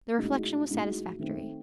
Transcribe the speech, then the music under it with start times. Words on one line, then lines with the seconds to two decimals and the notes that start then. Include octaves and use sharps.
The reflection was satisfactory.
0.18 A2 G#3 D#4 F#4
0.69 A2 G#3 D#4 F#4
1.19 D#3 A3 C4